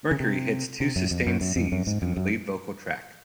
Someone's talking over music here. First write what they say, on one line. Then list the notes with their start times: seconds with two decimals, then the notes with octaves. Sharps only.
Mercury hits two sustained Cs in the lead vocal track.
0.11 C#3
0.20 C3
0.80 C3
0.96 F#2
1.11 F2
1.27 F#2
1.41 F#2
1.56 F2
1.72 F#2
1.87 G#2
2.02 F2
2.17 F#2